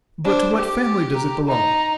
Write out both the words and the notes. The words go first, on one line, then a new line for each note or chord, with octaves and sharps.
"But to what family does it belong?"
D4 C5
G4 D6
A#5
D#4 A#5